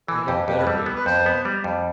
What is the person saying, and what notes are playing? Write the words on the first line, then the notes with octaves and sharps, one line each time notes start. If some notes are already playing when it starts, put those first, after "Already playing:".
"I have a better way," he said.
E3 A4
F2 G4
F2 G4
B4
G3 A4
B3
B4
F2 C5
B3
G3
F2